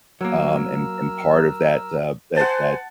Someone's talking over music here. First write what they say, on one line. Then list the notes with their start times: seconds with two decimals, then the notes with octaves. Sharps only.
um, and and part of that, uh, that that
0.21 F#3 A#3 A#4 E6
2.37 C5 F#5 G#5 A5